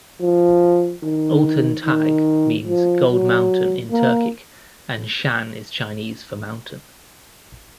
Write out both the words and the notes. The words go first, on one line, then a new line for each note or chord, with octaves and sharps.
Altyn Tag means "Gold Mountain" in Turkic, and Shan is Chinese for "mountain".
F3
D#3
D#3
F3
F#3
A#3